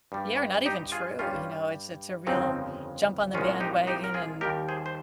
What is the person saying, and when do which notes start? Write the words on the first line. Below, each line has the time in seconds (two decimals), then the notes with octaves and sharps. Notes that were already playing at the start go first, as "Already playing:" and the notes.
Yeah, or not even true, you know? It's it's a real jump on the bandwagon and
0.12 G2 G3
0.66 D#4 G4
0.92 F4 G#4
1.19 G2 G3 C#4 F4
2.27 G1 F2 C#3 F3 G#3 C4 D#4
3.34 C2 A#2 F3 G#3 C#4 F4
3.60 D#4 G4
3.87 D#4 G4
4.04 A#4
4.14 F4 G#4
4.41 D#2 D#3 G3 G4 A#4
4.69 G#4 C5
4.86 C5